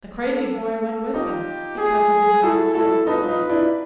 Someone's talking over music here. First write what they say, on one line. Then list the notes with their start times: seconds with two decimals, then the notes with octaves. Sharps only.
The crazy boy went with them, because he did not feel the cold.
0.18 A4
1.14 D#4 F4 G4
1.78 G#4
2.43 E4 F#4 A4
2.74 E4 F#4 A4
3.07 D#4 F4 B4
3.28 D#4 F4
3.49 D4 E4